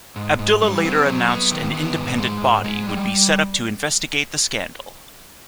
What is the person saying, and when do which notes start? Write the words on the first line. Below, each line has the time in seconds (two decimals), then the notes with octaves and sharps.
Abdullah later announced an independent body would be set up to investigate the scandal.
0.16 G#2
0.39 G#2
0.62 G3
0.84 C4
1.06 F#3
1.29 B3
1.51 D#3
1.74 B3
1.96 G#2
2.18 G#3
2.42 G#2
2.64 G#3
2.87 G3